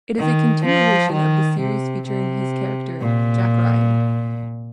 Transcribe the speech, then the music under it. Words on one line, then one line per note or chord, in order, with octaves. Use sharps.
It is a continuation of the series featuring his character Jack Ryan.
D#3
F3
D#3
C3
C3
A#2